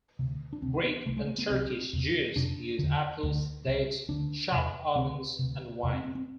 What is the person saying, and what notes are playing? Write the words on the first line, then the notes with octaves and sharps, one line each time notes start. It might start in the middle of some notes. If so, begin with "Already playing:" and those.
Greek and Turkish Jews use apples, dates, chopped almonds, and wine.
D2 C3
D4
D2 C3 C4
B3
C2 C3 A3
G#3
A3
B3
C2 C3 C4
E2 C3
F2 C3 D4
E2 D3
D2 D3
C2 C3
D2 D3 D4
E2 C3
D2 C3 C4
D2 C3
E2 C3
C4
C4
C4